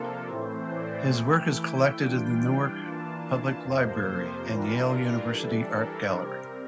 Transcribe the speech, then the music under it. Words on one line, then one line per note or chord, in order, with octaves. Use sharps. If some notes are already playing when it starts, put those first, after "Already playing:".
His work is collected in the Newark Public Library and Yale University Art Gallery.
Already playing: C3 F3 A#3 D4 F4 A4 A#4
A2 E3 A3 C4 C5
D5
E3 A3 E4 G5
E3 G3 D4 F4
E3 A#3 D4 F4 A5
F2 C3 F3 A#3 C5
E3 G3 D4 F4 A#4
E3 G3 D4 A4
A#4
C3 G3 C4